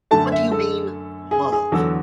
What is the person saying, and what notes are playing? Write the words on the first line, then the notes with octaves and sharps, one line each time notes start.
What do you mean 'love'?
F#2 D3 A3 A5
E5
A4
G#4
G#4
E2 D3 F#3 A4